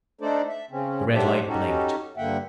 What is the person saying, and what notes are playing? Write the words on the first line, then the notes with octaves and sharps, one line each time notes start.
The red light blinked.
A3 D4 D#4 A4 C5 D5
E5
C#3 C4 C#4
F#3 D4 G4 A4 C5 E5
C#4 D#4 F#4 G4 A4
G2 D3 A#3 E5 F#5 G5